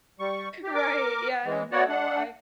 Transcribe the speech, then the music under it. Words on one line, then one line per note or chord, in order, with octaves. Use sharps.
Right, Yeah, no, I
G3 C#6
G4
A#4 D6
E3 G#3
B3 F#4 C#5 D5 F#5
D4 F#5